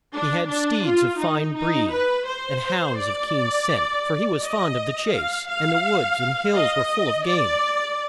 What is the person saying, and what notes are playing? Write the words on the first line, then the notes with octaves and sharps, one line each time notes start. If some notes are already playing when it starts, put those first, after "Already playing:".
He had steeds of fine breed, and hounds of keen scent, for he was fond of the chase, and the woods and hills were full of game.
D4
D4
F4
D#4
D#4
B4
C5
D5
D#5
F5
F5
D#5
D5